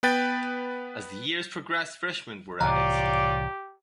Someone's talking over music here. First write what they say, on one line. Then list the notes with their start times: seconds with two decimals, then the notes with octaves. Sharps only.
As the years progressed, freshmen were added.
0.03 B3 B4 G5 A6
2.61 C2 A2 E3 F4 G4 C#5 D5 A#5